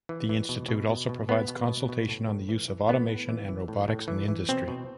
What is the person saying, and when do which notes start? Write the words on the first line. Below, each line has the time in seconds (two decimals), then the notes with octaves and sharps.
The institute also provides consultation on the use of automation and robotics in industry.
0.09 E3
0.29 E3
0.49 B2
0.68 B2
0.89 B2
1.09 B2
1.29 B2 B3
1.48 B2
1.69 B2
1.89 B2
2.09 A2
2.28 A2
2.49 E3
2.68 E3
2.88 A2 B3
3.08 A2
3.29 E3
3.49 E3
3.68 A2
3.88 A2
4.08 E3
4.28 E3
4.49 B2 C4
4.68 B2